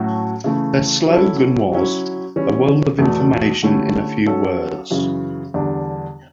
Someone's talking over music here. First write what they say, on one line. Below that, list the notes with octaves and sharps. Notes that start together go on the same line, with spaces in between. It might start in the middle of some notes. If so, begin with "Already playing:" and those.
Their slogan was "A World of Information in a few words".
Already playing: A2 F#3 A3 C#4 F#4
C#3 E3 A3
F#3 C#4 E4 A4
F#3 C#4 E4
E3 G3 C#4
E2 B2 A3
D3 A3 C#4 E4 G4
F#3 C#4 F#4 A4
F#2 C#3 E3
E2 D3 G3 D4